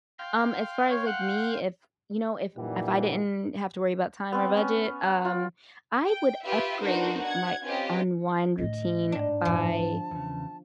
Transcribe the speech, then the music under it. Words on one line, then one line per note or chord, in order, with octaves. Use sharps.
um, as far as, like, me, if you know, if if I didn't have to worry about time or budget, um, I would upgrade my unwind routine by
F5 G5 C6
C#5
F#5
F#2 A#2 E3 G3 D#4 F#5
B3 C4
C#4
F#5
F4
G5
F4 G4 B4 E5
B3 D4 D#4 F#4 A#4 C5
F#5 G#6
C4 C#4 F4 G4 B4 D#5
A2 D3 D#5
G#2 D4
F#2 A2 F3 A5
D3 B3
E2 C#3